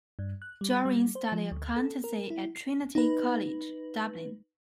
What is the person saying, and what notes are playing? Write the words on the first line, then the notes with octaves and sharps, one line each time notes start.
Guerin studied accountancy at Trinity College, Dublin.
G2
F#6
G3
G3
C5
F3
D2
A4
A#4
E4
C7
D#4 B4